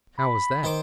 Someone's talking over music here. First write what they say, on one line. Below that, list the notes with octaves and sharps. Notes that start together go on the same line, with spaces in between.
"How was that?"
B5
D#3 C5 D6